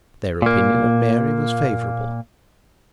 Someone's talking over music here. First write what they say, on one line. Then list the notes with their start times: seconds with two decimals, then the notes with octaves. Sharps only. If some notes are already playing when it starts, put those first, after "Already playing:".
Their opinion of Mary was favourable.
0.42 A#2 A#3